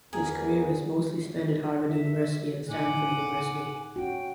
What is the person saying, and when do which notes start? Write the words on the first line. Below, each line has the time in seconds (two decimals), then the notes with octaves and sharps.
His career was mostly spent at Harvard University and Stanford University.
0.13 E2 G#4 A#4
1.89 E5
2.69 A2 C#3 D#4 F#5 G#5 D6
3.96 C#4 F#4 G5